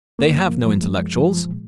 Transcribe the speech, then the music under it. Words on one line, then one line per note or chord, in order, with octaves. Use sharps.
They have no intellectuals....
F#2 A#3
F#2
F3
F3
F#2 G#3
F#2
F3
F3
A#2